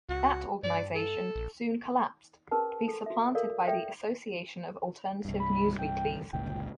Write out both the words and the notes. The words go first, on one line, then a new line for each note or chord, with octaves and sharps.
That organization soon collapsed, to be supplanted by the Association of Alternative Newsweeklies.
C#2 F#4
G2 D5
A4
A#1
C#4 G#4 A#4 B4 A5
A4
F#4 E5
A4 A#4 D5 F5
A4 D5 E5 G5
C2 G2
B5
G5
G1 C#2 A#2 G5